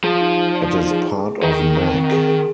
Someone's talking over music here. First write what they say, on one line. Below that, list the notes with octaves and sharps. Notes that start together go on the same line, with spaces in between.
It is part of Mac.
F3 G#4
D#4
D#4
D5
D#4
G#4
G#4
G#4
D#3 G#4
D#4
C4
C4
G#4
G#4